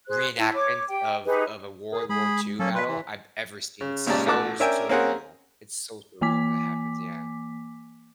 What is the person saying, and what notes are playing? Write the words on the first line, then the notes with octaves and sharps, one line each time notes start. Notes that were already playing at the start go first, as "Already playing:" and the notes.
reenactments of of a World War II battle I've ever seen, it's so surreal. It's so surreal when it happens, yeah.
G#4 C5 F#6
E4
C#5 D6
G4 G5
D#4 G4 G#4 B4
G#4 A#4
G#3 G#4 B5
F#3 A#3 C#4 A4
B2 B4 C6 B6
E3
C#3
G#1 A#2 C#3 G4 D5 A5
A1 A3 F#4 A5 D6 F#6
C#4 D4 A#4 E5 G5 G#5
A#3 C4 C#4 G#4 A#4 F#5
E3 A#3 G#5 D6 B6